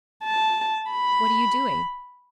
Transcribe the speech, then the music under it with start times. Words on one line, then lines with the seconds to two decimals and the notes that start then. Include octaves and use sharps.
'What are you doing?'
0.24 A5
0.91 B5